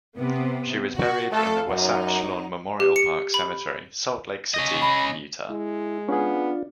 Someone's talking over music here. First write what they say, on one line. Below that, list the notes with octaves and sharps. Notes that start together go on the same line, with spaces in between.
She was buried in the Wasatch Lawn Memorial Park Cemetery, Salt Lake City, Utah.
C3 B3
F#4
A3 A4 F5
F#2 F#3 D#4
G4
C#7
B5
C#4 D#5
B5
G#3 E4
B3 C#4 D4 F4 G#4